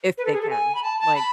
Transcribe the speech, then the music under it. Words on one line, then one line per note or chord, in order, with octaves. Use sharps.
if they can, like,
B4
A4
G#4
A4
G#5
B5
A5
A5
B5